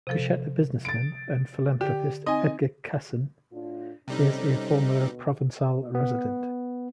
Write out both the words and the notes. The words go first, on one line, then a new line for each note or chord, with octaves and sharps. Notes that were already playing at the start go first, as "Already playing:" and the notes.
Coushatta businessman and philanthropist Edgar Cason is a former Provencal resident.
C3 F3 A4
A6 D7
D3 G4
C4 D#4 D#5 G#5
A2 D4 F4
C3 G3 C#4 D#4 A4 C5
D2 B2
B3